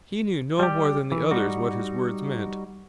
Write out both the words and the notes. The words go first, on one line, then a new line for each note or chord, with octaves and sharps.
He knew no more than the others what his words meant.
G3 G4
E3
G3 D#4 F#4